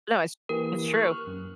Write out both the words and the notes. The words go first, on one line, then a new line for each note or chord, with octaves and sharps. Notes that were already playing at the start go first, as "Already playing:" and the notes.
No, it's it's true.
E3 A#3 G4 A#4
C#6 F6 F#6
F#2